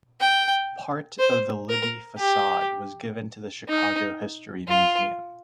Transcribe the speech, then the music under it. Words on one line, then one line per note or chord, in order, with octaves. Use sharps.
Part of the Libby facade was given to the Chicago History Museum.
G5
C5
A#4
G4
D#4
F4